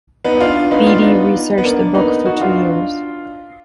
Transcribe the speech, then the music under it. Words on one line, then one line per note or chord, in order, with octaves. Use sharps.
Beattie researched the book for two years.
B3 D#4
D4 F4
B3 D#4
D4 F4
B3 D#4
B3
A#3 D4
B3 D#4
D#4 F#4
D4 F4